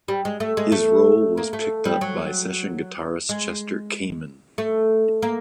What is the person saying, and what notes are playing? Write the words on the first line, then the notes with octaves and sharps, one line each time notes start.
His role was picked up by session guitarist Chester Kamen.
G3
G#3
A3
G#3
A3
A#3
A3
G3
F#3
G#3
A3
A#3